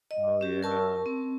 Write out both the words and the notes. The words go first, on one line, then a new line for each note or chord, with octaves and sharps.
Oh, yeah.
D#5
C#4 G4
A#4 A5 C#6 E6
C4